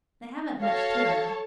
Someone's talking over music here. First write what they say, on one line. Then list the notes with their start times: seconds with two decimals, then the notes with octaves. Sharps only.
They haven't much to them.
0.61 F#4 A4 C#5 F5 A5